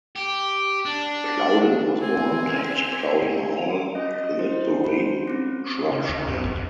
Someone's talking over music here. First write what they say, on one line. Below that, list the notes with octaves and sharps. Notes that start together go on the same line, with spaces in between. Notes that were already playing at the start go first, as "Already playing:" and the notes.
Plowden was born at Plowden Hall, Lydbury, Shropshire.
G4
D4
C4 G#5
C#4 D#5
E4 C5
F#4 B5
C4 C#4
C#3
D2
G2
A#1
F#2